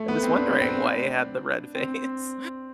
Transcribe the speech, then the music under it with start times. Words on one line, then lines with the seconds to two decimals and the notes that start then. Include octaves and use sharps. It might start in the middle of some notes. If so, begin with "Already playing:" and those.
I was wondering why he had the red face.
Already playing: A3
0.08 B3
0.23 C4
0.38 D4
0.61 C4
0.84 D4
1.75 C4